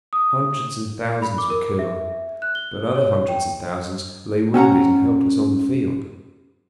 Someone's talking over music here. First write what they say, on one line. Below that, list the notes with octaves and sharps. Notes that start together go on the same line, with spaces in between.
Hundreds and thousands were killed; but other hundreds and thousands lay wounded and helpless on the field.
D#6
B5
D6
A#4
E5
F#6
G7
C#5
G5
C4 C#4 F#5 A#5